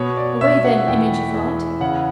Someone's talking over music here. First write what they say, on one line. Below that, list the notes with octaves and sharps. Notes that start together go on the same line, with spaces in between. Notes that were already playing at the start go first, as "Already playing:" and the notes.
Away, then, image of light!
Already playing: B2 C#5
D5
B2 E5
F#5
E2 G5
E2
C#3 F#5